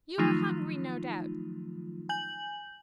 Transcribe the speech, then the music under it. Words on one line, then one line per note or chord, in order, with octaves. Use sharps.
You are hungry, no doubt.
D#3 F3 F#3 A3 D#4 F4
G#5 G6 F#7